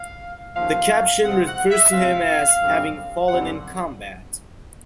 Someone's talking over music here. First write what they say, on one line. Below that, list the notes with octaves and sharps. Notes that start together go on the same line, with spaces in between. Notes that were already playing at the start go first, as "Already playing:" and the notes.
The caption refers to him as having "fallen in combat".
Already playing: F5
D#2 C#3 F3 A#3 F5
C3 F3 G#3 C4 F#5
F#5
E5
C3 F3 G#3 C4 F5
F#2 D3 G3 C4
F#2 D3 G3 C4 F#5